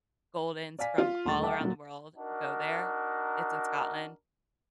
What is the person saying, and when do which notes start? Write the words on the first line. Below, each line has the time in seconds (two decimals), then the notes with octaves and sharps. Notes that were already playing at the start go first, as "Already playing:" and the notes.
goldens from all around the world go there, it's in Scotland.
0.79 D5 F5 G#5 B6
0.98 F4
1.25 D#1 D3 A3 C#6 A6
1.43 E5 F#5 G5 A5 D6
1.60 A#2 F#3
2.17 D4 D#4 F#4 A#4